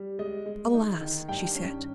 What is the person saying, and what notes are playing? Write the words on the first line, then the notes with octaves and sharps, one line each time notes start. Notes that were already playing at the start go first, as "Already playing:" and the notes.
"Alas!" she said.
Already playing: G3
G#3 D#5
G#3
D#4
D#3
G2 G5
C#4